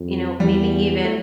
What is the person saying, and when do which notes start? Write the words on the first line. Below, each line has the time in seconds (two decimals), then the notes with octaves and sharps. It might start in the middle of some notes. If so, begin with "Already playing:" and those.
you know, maybe even
Already playing: F2
0.40 E2 G3
1.04 A3